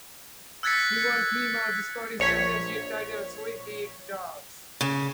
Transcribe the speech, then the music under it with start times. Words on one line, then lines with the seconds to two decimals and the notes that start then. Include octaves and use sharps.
He won three more Scottish championship titles with the Gers.
0.63 E6 F#6 G#6 A6 B6 C#7
2.19 A#1 C#5 B6
4.81 C#3